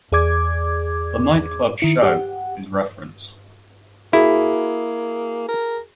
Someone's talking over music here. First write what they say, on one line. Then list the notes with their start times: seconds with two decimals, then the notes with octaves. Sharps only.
The nightclub Show is referenced.
0.12 E2 G#4 D5 D6 G#6
1.80 D#3 E4 C#7
2.03 G4 F#5
4.13 A#3 E4 F#4 G#4
5.49 A#4